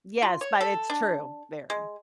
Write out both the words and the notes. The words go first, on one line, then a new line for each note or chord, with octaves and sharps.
Yes, but it's true, very.
F4
C#5
A4
D4
G#3